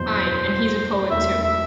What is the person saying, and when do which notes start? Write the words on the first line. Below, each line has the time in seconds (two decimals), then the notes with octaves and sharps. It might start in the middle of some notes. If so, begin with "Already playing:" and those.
Ay, and he's a poet too.
Already playing: F#1 E2 B2 F#3 B3 C5
1.11 E1 D#2 D#3 F#3 A3 E5
1.43 E5